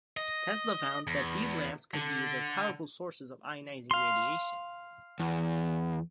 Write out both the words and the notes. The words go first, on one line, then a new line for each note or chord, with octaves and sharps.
Tesla found that these lamps could be used as powerful sources of ionizing radiation.
D#5
E2
D3
F5 C6
E2